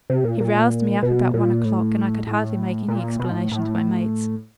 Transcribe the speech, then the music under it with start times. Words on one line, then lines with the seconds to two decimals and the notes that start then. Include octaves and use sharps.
He roused me up about one o'clock, and I could hardly make any explanation to my mates.
0.10 C3
0.24 A#2
0.41 A#2
1.03 B2
1.34 A#2
1.65 A2
2.27 A2
2.88 A#2
3.20 B2
3.31 G#2
3.35 A2
3.51 A2